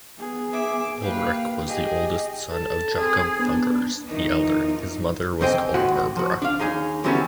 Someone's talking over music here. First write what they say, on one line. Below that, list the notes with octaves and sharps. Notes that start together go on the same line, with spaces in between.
Ulrich was the oldest son of Jakob Fuggers the elder, his mother was called Barbara.
B3 G#4
E5 D6
A#3 G4 B4 F5
G4 G#4 D#5
A4 A5
C4 G#4
B3 D4
E2 D#3 F3 D#4
F2 C4 C5 D#5 G5 G#5
D#2 G#2 F#4 F#5
F3 F#4
D4 F5
D#2 D#4 G#4 G#5
D3 E3 F#3 G3 B3 C#4